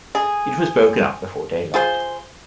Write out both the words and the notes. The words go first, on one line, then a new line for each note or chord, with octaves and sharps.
It was broken up before daylight.
G#4
F4 G#4 C5